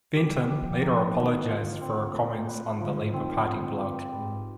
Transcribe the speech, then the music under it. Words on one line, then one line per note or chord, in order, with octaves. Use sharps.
Fenton later apologised for her comments on the Labour Party blog.
G3 G4
F3 G4
F3 D#4
D#3 D#4
D3 F4
C4
B4
B4
D3 F3
D#3 C4
D3 C4
G4
G#2 B4